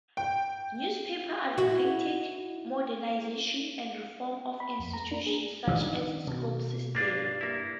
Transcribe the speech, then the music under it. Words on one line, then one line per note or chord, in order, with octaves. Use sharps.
Newspapers advocated modernization and reform of institutions such as the school system.
G5
E4 F#4
B5
F2
A#5
D4
G#4
D#3 D4
B2
G2 A#3 D4 F4
A#3 E4